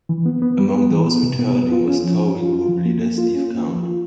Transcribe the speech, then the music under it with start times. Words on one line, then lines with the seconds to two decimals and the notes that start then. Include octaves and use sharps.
Among those returning was Tory group leader Steve Count.
0.09 E3
0.26 B3
0.42 B3
0.58 G3
0.74 B3
0.90 E3
1.07 B3
1.23 C3
1.39 B3
1.55 B3
1.72 F4
1.88 C#4
2.04 F3
2.20 C#4
2.36 F4
2.53 F4
2.69 F3
2.85 A#3
3.01 A#3
3.18 F4
3.34 C#4
3.50 A#3
3.66 F3
3.83 F4